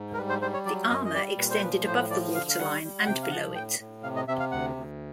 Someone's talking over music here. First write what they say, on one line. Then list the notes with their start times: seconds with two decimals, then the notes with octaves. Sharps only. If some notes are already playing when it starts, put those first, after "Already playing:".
The armour extended above the waterline and below it.
Already playing: G#2
0.13 A#4
0.17 G3 B4
0.29 C5
0.42 G3 C5
0.54 C#5
0.65 F#3 D5
0.90 F#2 D#5
1.05 D#5
1.14 G3 D5
1.38 A#2 B4
1.51 C5
1.62 F3 B4
1.86 A2 C5
2.10 F3 D5
2.35 D3 F5
2.49 F5
2.59 G3 F#5
2.83 G3
3.00 F#5
3.07 C3 G5
3.23 F5
3.31 F3 F#5
3.55 A2 G5
3.80 A2
4.03 C3 F5
4.16 D#5
4.28 C3 E5
4.40 F5
4.51 D2 F#5
4.76 D2